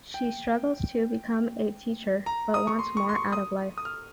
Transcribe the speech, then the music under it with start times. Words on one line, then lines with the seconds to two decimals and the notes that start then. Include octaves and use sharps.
She struggles to become a teacher, but wants more out of life.
0.14 G5
2.26 A#5
2.54 D#6
2.67 C#6
2.79 C6
2.97 C#6
3.09 C6
3.15 C#6
3.32 D#6
3.78 D#6
3.85 F6